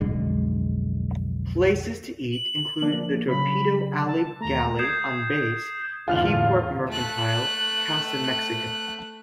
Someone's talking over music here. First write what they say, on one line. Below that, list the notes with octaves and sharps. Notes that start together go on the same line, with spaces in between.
Places to eat include the Torpedo Alley Galley on base, Keyport Mercantile, Casa Mexico.
B1 F2 D3 G#3
F#7
F3 A#3 D4
C#3 F#3 B5
A5
D#2 A3 A#5
D#6 G6 G#6 C7 E7
E2 A2 D3 F4 F6 F7
A3 F#6